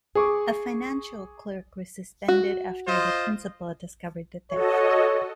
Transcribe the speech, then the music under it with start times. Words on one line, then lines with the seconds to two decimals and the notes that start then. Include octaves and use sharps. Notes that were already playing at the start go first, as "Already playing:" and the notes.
A financial clerk was suspended after the principal discovered the theft.
0.15 G#4 C#6 D6
2.28 F#4
2.87 F4 C5 D#5
4.51 F#4 A4 C#5 D#5